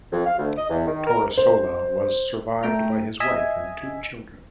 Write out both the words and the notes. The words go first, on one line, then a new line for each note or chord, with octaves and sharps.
Torresola was survived by his wife and two children.
F2
F5
D2
D#5
E2
D#3
A#4
C5
A3 G5 A#5
D#5 E5 G#5